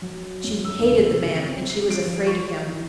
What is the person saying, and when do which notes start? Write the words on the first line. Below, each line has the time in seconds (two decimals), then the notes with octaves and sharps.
She hated the man, and she was afraid of him.
0.02 F#3
0.44 F#2
0.65 E6
0.79 D2
0.92 C3
1.23 C#3
1.47 C4
1.70 C7
1.91 D7
2.04 F3
2.27 C#6
2.68 E3